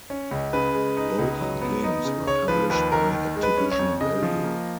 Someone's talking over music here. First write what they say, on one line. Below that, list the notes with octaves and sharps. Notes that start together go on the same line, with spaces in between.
Both games were published by Activision Value.
C#4
C#2
C#3 B4
G#3
D#4
C#2
F#3
B3
D#4
C#3
C#3 C#5
F3 B4
D#2 B4
D#2 A#4
D#3
G#3
B4
C#4
C#5
F2
C#3 D#5
F3
A#3